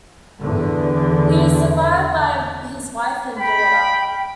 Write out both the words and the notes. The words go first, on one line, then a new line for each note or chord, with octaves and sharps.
He is survived by his wife and daughter.
E2 D3
G5 B5